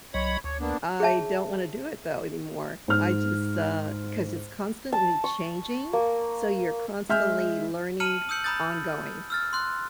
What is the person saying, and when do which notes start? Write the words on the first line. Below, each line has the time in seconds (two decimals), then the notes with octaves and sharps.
I don't want to do it though anymore. I just, uh, 'cause it's constantly changing, so you're constantly learning, ongoing,
0.14 C2 F#3 C#5 D#5 B5
0.44 D2 C#5
0.60 A#3 B3 D4
1.00 G#4 C#5 E5 A5
2.88 G#2 F6
4.93 A5
5.24 C#6
5.93 A#3
7.09 G#3 E5 G#5 F6 G6
8.00 A5 A#5 F6 C#7 D#7 F#7
8.29 D#6 E6 G6 C#7 F#7
8.44 A#5 B5 D#6 G6 A6
9.30 E6 F6 A6
9.53 C6 F#6